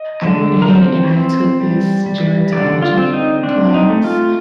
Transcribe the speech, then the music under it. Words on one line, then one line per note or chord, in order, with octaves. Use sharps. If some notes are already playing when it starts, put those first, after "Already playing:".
I went ahead and I took this gerontology class,
Already playing: D#5
D3
A#4
C4 C5
C4
G3
G3
D3 D5
F4
C4
D#4
C4 D4
D#4
A3
F4